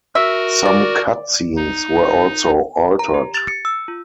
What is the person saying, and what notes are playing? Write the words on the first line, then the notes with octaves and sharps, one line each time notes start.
Some cutscenes were also altered.
F#4 A#4 E5
D5
D#4
A#5
G4
A6
C#7
E6
F4